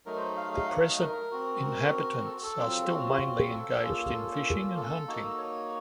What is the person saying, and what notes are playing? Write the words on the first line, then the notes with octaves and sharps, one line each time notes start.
The present inhabitants are still mainly engaged in fishing and hunting.
F#3 A3 D#4 A#4
C5
F5
F5
F#5
F5
D#5
A#4
C4 F#4
A#4
A4
F#4
A4
F#3 C4 F4
F#4
A4
A#3 C#4 F4
A4
A4
A#3 D#4 F#4
C#5